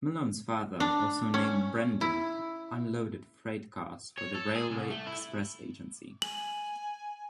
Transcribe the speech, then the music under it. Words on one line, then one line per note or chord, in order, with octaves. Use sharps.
Malone's father, also named Brendan, unloaded freight cars for the Railway Express Agency.
D4
C#4
E4
C#5
A4
G#4
C2
A3
E4
G#5 F#7